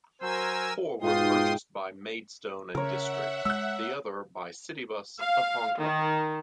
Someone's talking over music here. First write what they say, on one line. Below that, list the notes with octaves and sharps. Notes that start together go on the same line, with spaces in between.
Four were purchased by Maidstone and District, the other by Citybus of Hong Kong.
F#3 A#4 C5 G#5 E6
G#2 B2 D#4 F4 G5 C6 D#6
C#3 A#4 C#5 E5 F#5
G#3 E6 F#6
F5
D#3